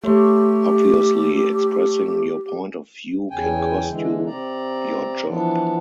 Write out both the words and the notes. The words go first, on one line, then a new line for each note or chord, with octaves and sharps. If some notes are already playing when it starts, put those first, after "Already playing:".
Obviously expressing your point of view can cost you your job.
A3 G4 C#5 C6
E2 C#3 G5 G#5
D3 E3 G#3
C3 C4 D5 A#5
E3 F3 B3 D4